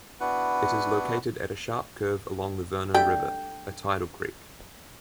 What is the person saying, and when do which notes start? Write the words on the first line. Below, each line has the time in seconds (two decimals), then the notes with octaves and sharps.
It is located at a sharp curve along the Vernon River, a tidal creek.
0.21 B3 D4 E4 F#4 B4 F#5
2.94 D3 G3 A3 G5